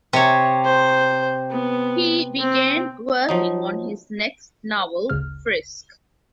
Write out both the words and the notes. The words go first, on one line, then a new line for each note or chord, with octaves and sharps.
He began working on his next novel, "Frisk".
C3 C#5
C5
B3
C4
F3 F#3 D#4
G1 D2 C#3 F6